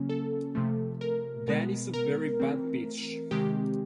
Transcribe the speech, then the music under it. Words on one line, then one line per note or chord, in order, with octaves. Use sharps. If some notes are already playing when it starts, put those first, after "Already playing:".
That is a very bad pitch.
Already playing: C#3 F#3 A#3 C#4
A4
C3 F3 A3
A#4
B2 G#3 B3 A#4
A#4
E3 A3 C4
C3 D#3 G#3 C4 G4